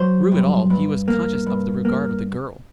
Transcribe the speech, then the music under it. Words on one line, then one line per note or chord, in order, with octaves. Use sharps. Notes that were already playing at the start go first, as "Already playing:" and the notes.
Through it all he was conscious of the regard of the girl.
Already playing: F#3 C5
G2
G2
A#3
G2
A#3